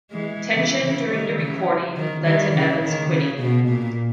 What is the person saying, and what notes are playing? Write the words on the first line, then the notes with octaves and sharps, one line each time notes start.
Tension during the recording led to Evans quitting.
E3 G#3
C#3 E3
C#3 E3
D#3 G3
C#3 E3
D#3
D#3 G3
C#3 E3
D#3
C#3
B2
A#2